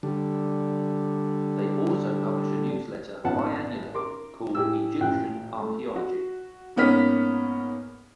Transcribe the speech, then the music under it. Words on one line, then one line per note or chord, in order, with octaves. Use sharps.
They also publish a newsletter bi-annually called "Egyptian Archaeology".
D3 G3
G#1 A#2 B3 C#4 F#5 A5
A#4 C6 D6
A2 G4 G#4 E6
A1 A#2 G5 F#6
A3
F#4
G#2 A#3 B3 C#4 F6 B6